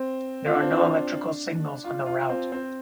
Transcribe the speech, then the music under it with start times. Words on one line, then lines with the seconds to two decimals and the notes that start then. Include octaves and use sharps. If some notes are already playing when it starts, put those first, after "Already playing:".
There are no electrical signals on the route.
Already playing: C4
0.46 F4
0.55 D4
0.62 C4
0.70 D4
1.84 F4
2.06 F4
2.29 C4
2.52 C4